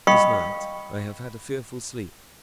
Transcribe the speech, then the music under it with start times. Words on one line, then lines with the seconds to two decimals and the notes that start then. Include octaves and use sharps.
This night I have had a fearful sleep.
0.07 D#5 F5 G5 B5 C#6 D#6